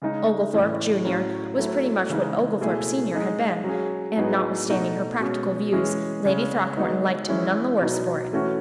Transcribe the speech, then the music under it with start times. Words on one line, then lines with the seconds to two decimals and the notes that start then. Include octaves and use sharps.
Oglethorpe, junior, was pretty much what Oglethorpe, senior, had been, and notwithstanding her practical views, Lady Throckmorton liked him none the worse for it.
0.02 C#3 G#3 D#4
0.53 A2 E3 A3 C#4
1.05 A2 F#3 C#4
1.57 F#3 A3 E4
2.09 C#3 E3 G#3 D#4
2.61 B2 A3 E4 G#4
3.12 G#3 D#4 G#4
3.64 F#3 C#4 G#4
4.16 A2 F#3 B3 D#4 G#4
4.68 B2 A3 D#4 F#4
5.20 B2 G#3 C#4
5.73 E3 G#3 C#4 G#4
6.25 C#3 G#3 C#4
6.77 G#3 B3 D#4 F#4
7.28 E3 G#3 C#4 E4
7.81 B2 F#3 B3 D#4
8.33 E3 A3 C#4 F#4